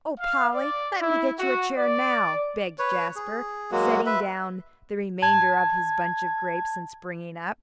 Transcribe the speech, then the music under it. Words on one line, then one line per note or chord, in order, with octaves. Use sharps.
"Oh, Polly, let me get you a chair now," begged Jasper, setting down the remainder of his bunch of grapes, and springing up.
F5
D5
E4
F#4
D5
B4 C#5
G#4
F#3 G#3 A#3 F#4
B4 E5
A5 G#6